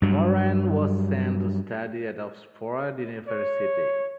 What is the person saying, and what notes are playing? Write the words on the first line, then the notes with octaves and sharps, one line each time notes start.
Morand was sent to study at Oxford University.
G2 F#3
C#5